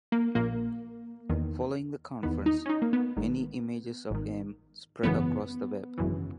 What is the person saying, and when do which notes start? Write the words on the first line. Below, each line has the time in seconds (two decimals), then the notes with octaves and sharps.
Following the conference, many images of him spread across the Web.
0.12 A#3
0.35 A#1 A#2 A#3
1.29 E2 D#3
2.23 E2 D#3 B3
2.46 D#4
2.66 C#4
2.69 D#4
2.82 A#3
2.93 B3
3.17 G#1 G#2 D#3
4.10 G#1 G#2 D#3
5.03 G#1 F#2 C#3 E3 B3
5.98 G#1 F#2 C#3 E3